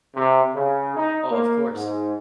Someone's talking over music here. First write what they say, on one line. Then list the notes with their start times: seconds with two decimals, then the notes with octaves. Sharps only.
Oh, of course.
0.15 C3
0.55 C#3
0.96 D#4
1.31 A#3
1.73 G#2